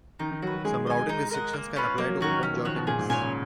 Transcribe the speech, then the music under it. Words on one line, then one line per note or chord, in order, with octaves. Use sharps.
Some routing restrictions can apply to open-jaw tickets.
D#3 D#4
D#3
F#3 F#4 B4
F#3
G#3 G#4
D#5 G#5
D#4
A#4 D#5 F#5
A#3
C#4 F4 B4
F#3 A#3
F#3
D#3 C#4 F#4 A#4
D#3
F#3 C#4
F3
D#3 F#4 C#5
B2
A#2 G#4
G#2
A#2 C#5 G#5
C#3